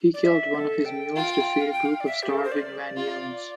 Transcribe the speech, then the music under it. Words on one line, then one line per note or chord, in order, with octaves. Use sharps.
He killed one of his mules to feed a group of starving Vanyumes.
D5
E5
A4
G5
F4 G5
F5
G5
F5
D5
E5
G4
A4
A#4
C5
D5
F4